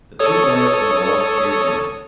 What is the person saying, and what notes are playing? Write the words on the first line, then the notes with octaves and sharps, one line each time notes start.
The two lads in the loft peered down.
A4 C#5 D#6